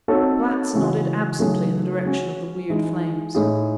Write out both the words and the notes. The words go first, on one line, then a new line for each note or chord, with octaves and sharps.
Platts nodded absently in the direction of the weird flames.
C4 D#4 F#4 A4 C#5
C#3 E3 G#3 C#4 F#4
C#3 F#3 A3 D#4 G#4
G#3 C#4 F#4
E3 G#3 D#4
A2 G#3 D#4 G#4